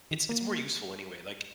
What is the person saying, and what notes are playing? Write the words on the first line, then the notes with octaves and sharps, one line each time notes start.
It's it's more useful anyway, like
D#3
A#3